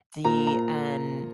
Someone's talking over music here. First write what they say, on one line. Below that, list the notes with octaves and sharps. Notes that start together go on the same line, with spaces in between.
the, um,
A#2 A#5
A#5